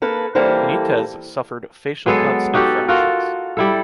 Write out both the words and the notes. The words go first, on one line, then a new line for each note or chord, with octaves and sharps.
Benitez suffered facial cuts and fractures.
A#3 A4 B4
E3 G3 A#3 A4 C5
F#3 G#3 B3 A4
D#4 F#4 G4 A4
F4 F#4 A4 A#4
G3 E4 A4